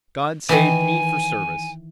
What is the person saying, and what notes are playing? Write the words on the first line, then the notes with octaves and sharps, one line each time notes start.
God saved me for service.
D#3 E3 G#5